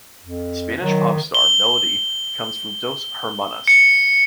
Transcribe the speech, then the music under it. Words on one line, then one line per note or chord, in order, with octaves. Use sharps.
Spanish popstar Melody comes from Dos Hermanas.
F2
D#3 F#3
G7
C#7